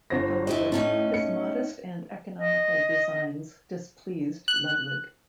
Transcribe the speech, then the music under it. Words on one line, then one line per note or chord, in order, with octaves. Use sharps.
However, his modest and economical designs displeased Ludwig.
G1 C5 A#6
E4 G4 D#5
A2 A3 C#4 D#4
C#7
D#5
F#6